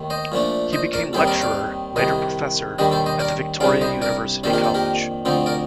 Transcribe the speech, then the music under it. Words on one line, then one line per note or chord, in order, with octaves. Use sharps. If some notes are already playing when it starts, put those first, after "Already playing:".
He became lecturer, later professor, at the Victoria University College.
Already playing: D#2 D#3 A3
C5 D#5
A#2 F3 A3 D4
C5 D#5
A#4 D5
D#2 D#3 G3 C4 D#4 A4 C5
A#4 D5
D5 F5
C2 C3 D#3 C5 D#5
D#2 D#3 G3 D4 C5 D#5
A4 C5
C5 D#5
A#4 D5
C2 C3 G3 D4 D5 F5
C5 D#5
A#4 D5
F2 D#3 A#3 D4 A4 C5
G4 A#4
A4 C5
G4 A#4
D2 D3 F3 C4 D#4 A4 C5
A#4 D5